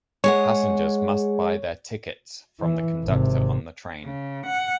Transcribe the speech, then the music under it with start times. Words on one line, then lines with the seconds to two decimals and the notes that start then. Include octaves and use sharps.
Passengers must buy their tickets from the conductor on the train.
0.24 G#3 G#4 C#5 F#5
2.60 E3
3.04 G#1 C3
4.04 C#3
4.45 F#5